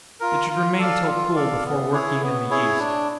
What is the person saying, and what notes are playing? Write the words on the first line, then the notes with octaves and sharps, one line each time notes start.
It should remain till cool before working in the yeast.
F4 A#4
F4
A4 D5 F5
F4
A4 D5 F5
B3
E4 G#4 C#5
B3
E4 G#4 C#5
D4